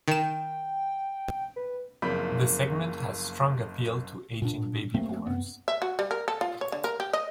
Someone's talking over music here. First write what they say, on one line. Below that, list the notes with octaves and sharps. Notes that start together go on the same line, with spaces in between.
The segment has strong appeal to aging baby boomers.
D#3 G5 E7
B4
F#1 F2 A#3 B5 G6 B6
A#2 D4
C3 A3 A#3 C4
F#2 B3 C4
E5
F#4
G3
A#4
A4
F4
C#5
D3
A#4
G4
D#5